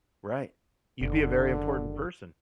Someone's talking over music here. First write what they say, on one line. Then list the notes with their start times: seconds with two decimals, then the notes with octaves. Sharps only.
Right, you'd be a very important person.
1.01 F#1 D3